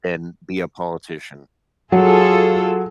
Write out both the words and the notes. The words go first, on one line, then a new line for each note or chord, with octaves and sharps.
than be a politician.
F#3 F4 G#4 A4